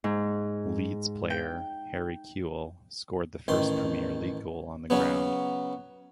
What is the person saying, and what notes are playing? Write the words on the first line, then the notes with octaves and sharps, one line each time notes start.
Leeds player Harry Kewell scored the first Premier League goal on the ground.
G#2
G5
A1 D#3 C6
C#3 F#3 B3